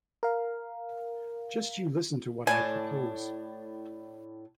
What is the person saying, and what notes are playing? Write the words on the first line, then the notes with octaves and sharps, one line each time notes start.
Just you listen to what I propose.
A#4 F5
A2 D4 G#5 A5